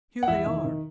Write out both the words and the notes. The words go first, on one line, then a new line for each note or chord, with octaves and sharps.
Here they are.
F#5
E2 E4 E5
D#3
D#3